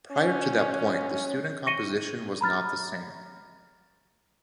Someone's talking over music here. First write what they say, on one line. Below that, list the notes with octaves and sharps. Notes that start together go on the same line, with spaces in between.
Prior to that point the student composition was not the same.
C#4
C#6 A#6 C#7 D#7 G7
A#5 B5 F6 A6